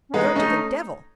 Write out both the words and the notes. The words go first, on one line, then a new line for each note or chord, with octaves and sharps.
Go to the devil!
C#4
G#3 B3 D#4
A3 C#4 D#4